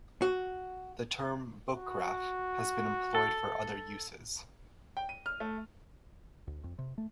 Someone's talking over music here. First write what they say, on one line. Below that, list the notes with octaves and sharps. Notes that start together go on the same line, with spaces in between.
The term "book-graph" has been employed for other uses.
F#4
F#4
A4
G5
D#7
F6
A3
D2
F2
C3
A3